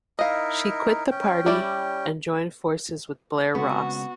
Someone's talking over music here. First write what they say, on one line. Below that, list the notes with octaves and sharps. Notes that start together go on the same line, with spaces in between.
She quit the party, and joined forces with Blair Ross.
D#4 E4 A#4 D#5 F5
C#4 G5
G3 E4 D5
C#3 G#3 B3 C4 F#4